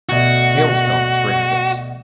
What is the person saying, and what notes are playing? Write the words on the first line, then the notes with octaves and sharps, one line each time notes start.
Hailstones, for instance.
D2 B2 F#4 C#6